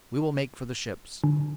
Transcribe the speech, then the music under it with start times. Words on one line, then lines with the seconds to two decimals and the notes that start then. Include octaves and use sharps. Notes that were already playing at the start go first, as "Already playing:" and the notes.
We will make for the ships.
1.24 D3